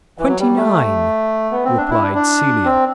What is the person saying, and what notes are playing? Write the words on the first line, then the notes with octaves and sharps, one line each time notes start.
"Twenty-nine," replied Celia.
E3
F#3
G3
A3
B3
C4
D4
E4
D4
D4
C4